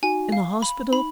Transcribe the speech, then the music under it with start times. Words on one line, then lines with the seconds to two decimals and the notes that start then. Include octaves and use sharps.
"In a hospital?"
0.03 D#4 F#4 G#5
0.32 F5
0.62 B5
0.93 D#4 B5